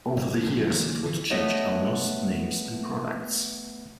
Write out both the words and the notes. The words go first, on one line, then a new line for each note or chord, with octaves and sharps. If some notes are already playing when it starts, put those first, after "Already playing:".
Over the years it would change owners, names and products.
F#1 G#2
A#1 G#2 D3
D2 A#2 E3 F#3
D3 E3
A3 B3 C#5 D#5